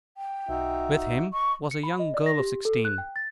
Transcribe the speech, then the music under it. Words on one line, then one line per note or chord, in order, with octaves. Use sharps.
With him was a young girl of sixteen.
G5
B1 D#4 F#4 E5
D#5 C#6
C#7
B5
D#5
D5
A#6
G4
A4
F#6
G5
A6